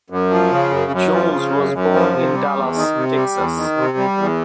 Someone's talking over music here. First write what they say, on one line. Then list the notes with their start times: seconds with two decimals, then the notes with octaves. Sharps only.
Jones was born in Dallas, Texas.
0.10 F#2
0.30 F3
0.51 C#3
0.71 F#2
0.92 F#2
1.12 F3
1.32 C#3
1.53 F#2
1.73 F#2
1.94 F3
2.14 C3
2.34 G3
2.54 E2
2.75 D#3
2.95 C3
3.16 G3
3.36 E2
3.56 D#3
3.77 C3
3.97 G3
4.18 E2